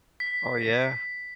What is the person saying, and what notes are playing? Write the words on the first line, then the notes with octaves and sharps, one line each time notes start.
Oh, yeah?
B6